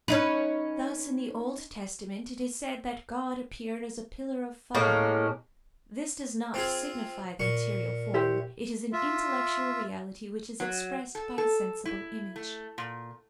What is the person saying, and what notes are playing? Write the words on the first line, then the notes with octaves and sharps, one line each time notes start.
Thus in the Old Testament it is said that God appeared as a pillar of fire: this does not signify the material form; it is an intellectual reality which is expressed by a sensible image.
C#4 D#4 B4
A2 G#3 A#3 C#4
C4 F4 G#4
A#2 C#6
E4 G4 C5
F4 E5
F#3
A4
A4
E4
A3
A#2